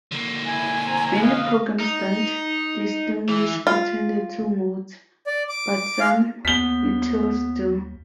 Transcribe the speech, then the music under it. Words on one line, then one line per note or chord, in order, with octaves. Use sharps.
Many programs don't distinguish between the two modes, but some utils do.
D3 A#3
E4 G#5
C4 A#5
B4 D#5 F5
D#4
E3
F4
D5
D6
F5
D#2 B3 B6 G7